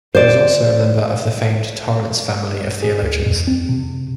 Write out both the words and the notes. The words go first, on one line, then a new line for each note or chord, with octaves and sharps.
He was also a member of the famed Torrance family of theologians.
C5 D5
G#4
D2
F2
C4
C3